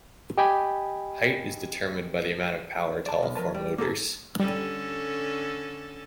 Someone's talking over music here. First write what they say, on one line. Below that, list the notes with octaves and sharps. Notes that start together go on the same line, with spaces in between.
Height is determined by the amount of power to all four motors.
G4 D#5 G5 G#5 B5
D5 A5
B1
F3 A#4 B4 A5
G3
A#3 B3 A4 A5
D3 G3 C#4 A4